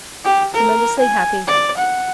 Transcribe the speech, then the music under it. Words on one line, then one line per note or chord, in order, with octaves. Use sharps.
'Tremendously happy.
G4
A#4
G#5
D5
F#5